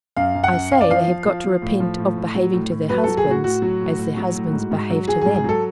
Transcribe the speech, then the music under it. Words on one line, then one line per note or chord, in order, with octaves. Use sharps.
"I say, they have got to repent of behaving to their husbands as their husbands behave to them."
F#2 F5
F#2
F#5
F#2
F#2 F5
D5
F3 F5
F3
F3
F3
A2
F3
A2
A2
F#3
A2
A2
F#3 B4
F#3 A4
G#4
A2
F#4
A2 F#4
F#3
A2
A2
F#3
A2
G#2
G#2
F#3
F#3 G#4
G#4
G#2
G#4
F#3 A4